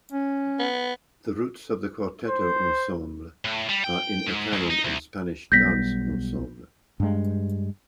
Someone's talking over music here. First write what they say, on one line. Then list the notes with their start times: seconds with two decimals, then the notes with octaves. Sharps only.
The roots of the cuarteto ensemble are in Italian and Spanish dance ensembles.
0.12 C#4
0.59 B3
2.27 C5
3.45 A2
3.69 G3
3.84 G5
4.27 G#2
4.53 C#2
4.70 D#4
4.85 C2
5.52 B1 G3 B3 G6 A#6 B6
7.00 G2 G#3